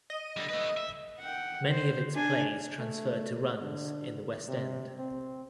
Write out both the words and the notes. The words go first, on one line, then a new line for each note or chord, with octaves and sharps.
Many of its plays transferred to runs in the West End.
D#5
D3 G3
A3 B4
E5
F#5 G5
C5
D4 G#5
A3
D3
C3
C4